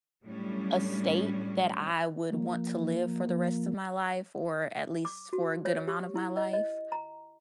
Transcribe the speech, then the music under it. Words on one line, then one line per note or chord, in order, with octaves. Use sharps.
a state that I would want to live for the rest of my life or at least for a good amount of my life.
A2 F#3 G3 C#4 D4
F3 A#3
D6
F#4
C#5
G4
E4
D#5
D#5
A#5